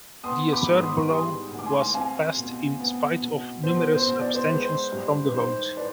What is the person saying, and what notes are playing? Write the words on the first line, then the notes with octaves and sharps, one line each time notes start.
The Acerbo Law was passed in spite of numerous abstentions from the vote.
B3 C6 D#6
B5 D6
G#2
C6 D#6
G3 C6 D#6
D2
D6
G#5 C6
C4 F5 G#5
B2
B3
B2
B2 C5
C5
B2
D5
C5
G#3 B4
C5
G2
B4
D#3 C5
B4 D5